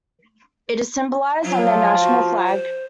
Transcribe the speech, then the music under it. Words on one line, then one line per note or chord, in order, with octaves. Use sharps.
It is symbolised on their national flag.
F3 F#3
F#4
C5